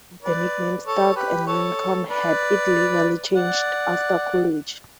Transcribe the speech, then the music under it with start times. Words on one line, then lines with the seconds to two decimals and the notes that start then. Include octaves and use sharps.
The nickname stuck, and Lincoln had it legally changed after college.
0.23 B4 D5
0.85 A4 C#5
1.16 G4 B4
1.47 A4 C#5
2.09 B4 D5
3.34 D5 F#5